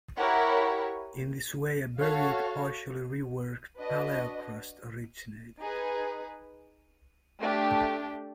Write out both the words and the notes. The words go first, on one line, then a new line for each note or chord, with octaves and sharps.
In this way a buried, partially reworked paleokarst originated.
E4 G4 A#4 C#5 F#5
F#4 A4 C#5 F5
D4 F#4 B4 D#5
D#4 G#4 B4
A3 D4 G4